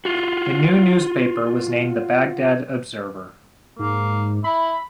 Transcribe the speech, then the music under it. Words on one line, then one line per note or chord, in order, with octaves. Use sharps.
The new newspaper was named the "Baghdad Observer".
F4 F#4
G#2 A#3
E4 B5